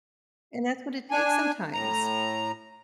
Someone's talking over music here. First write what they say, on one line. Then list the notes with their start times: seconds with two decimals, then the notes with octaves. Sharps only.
And that's what it takes sometimes.
1.11 D4 G#5
1.73 A2 A#5